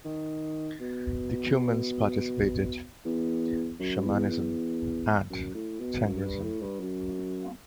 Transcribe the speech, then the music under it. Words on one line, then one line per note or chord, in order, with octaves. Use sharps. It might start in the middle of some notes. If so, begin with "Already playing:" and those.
The Cumans practiced Shamanism and Tengrism.
D#3
B2
E2
F#2
E2
E2
F#2
A2
B2
F#2
G2
A2
G2
F#2